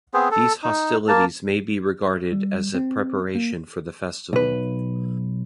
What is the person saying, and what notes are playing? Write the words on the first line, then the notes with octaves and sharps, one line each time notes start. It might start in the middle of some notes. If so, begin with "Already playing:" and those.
These hostilities may be regarded as a preparation for the festival.
B3 C4 G#4 C5
A4
D#4
A#3 A5
G3
C4
A#3
B1 B4